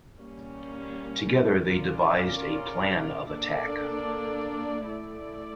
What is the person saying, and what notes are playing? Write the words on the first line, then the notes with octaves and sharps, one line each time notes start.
Together they devised a plan of attack.
G3 A#3 C#4
C#4 F4 A#4 D5
A#3 D4 A4 D5
A3 E4 A4 D5